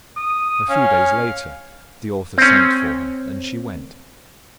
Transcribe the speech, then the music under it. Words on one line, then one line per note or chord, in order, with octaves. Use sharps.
A few days later the author sent for her, and she went.
D#6
C#4 F5
C4 C#4